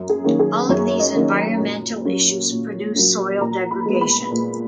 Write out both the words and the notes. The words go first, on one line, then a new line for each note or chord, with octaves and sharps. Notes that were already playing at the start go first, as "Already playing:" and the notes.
All of these environmental issues produce soil degradation.
Already playing: F#2
G#4
D#3 A#3 C#4
G#4
F#2 C#5
D#5
D#3 A#3 C#4
A#5
A#2
F#3 A#3 C#4
A#2
F#3 A#3 C#4
A#2 A#5
B5
G#3 B3
B5
A#2